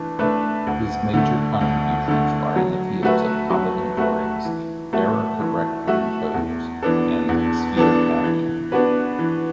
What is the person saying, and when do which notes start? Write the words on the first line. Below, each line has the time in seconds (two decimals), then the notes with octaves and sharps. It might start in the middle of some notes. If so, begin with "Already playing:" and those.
His major contributions are in the fields of combinatorics, error-correcting codes, and sphere packing.
Already playing: E3 A3 D4 B4
0.19 A3 D4 B4 E5
0.67 D2
1.13 D3 A3
1.61 D2
2.08 D3 A3
2.56 F#3
3.03 A3 F#4 B4 E5
3.50 F#3
3.97 A3 F#4 B4 E5
4.45 E3
4.93 A3 F#4 A4 E5
5.40 E3
5.87 A3 F#4 A4 E5
6.34 E2
6.83 E3 B3 D4 A4
7.29 E2
7.76 E3 B3 D4 A4
8.24 E3
8.72 B3 D4 F#4 B4
9.19 E3